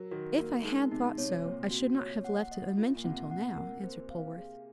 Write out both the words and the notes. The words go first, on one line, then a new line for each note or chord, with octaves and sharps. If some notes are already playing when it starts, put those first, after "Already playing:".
"If I had thought so, I should not have left it unmentioned till now," answered Polwarth.
Already playing: F#3 A#4
D#3 F#4
A#3 A#4
G#3 D#4
C3 D#4
C3 C#5
A#2 C4
F#4
C#5
F#5
D#5
F4
A#2
C3 F#5
F#5
A#4
C5
F5
G#4